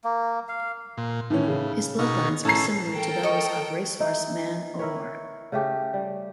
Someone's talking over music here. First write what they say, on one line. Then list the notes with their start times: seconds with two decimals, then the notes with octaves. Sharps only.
His bloodlines are similar to those of racehorse Man O' War.
0.04 A#3
0.49 F5
0.97 A#2
1.30 A2 D#3 E3 C#4
1.48 C#3
1.99 B2 D#4 C#6
2.45 A2 C#4 A4 A#5 C7
2.92 A4 A#4 G5
3.23 D#5 C#6
4.00 D#4 E4
4.79 E4 A#4 B4 C#5
5.52 C#3 A3 G4
5.94 G3